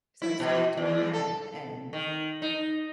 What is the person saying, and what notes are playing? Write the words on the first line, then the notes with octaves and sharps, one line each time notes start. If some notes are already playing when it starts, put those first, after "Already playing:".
So I started doing that, and
E4
B2
E2
A4
D#3
D#4